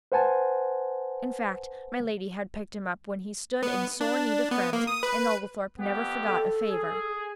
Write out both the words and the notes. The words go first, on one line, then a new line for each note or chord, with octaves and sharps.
In fact, my lady had picked him up when he stood in sore need of friends, and Oglethorpe never forgot a favor.
B4 C5 F#5 G#5 A5
B3
D4
B3
A#3
D#6
B4
F2 B3 G4
A4
G#4